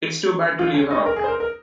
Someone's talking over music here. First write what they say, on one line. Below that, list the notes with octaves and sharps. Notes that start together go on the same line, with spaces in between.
It's too bad to leave her out.
F4
C#4
D#4
A#4
G#4
C5
A#4
A#4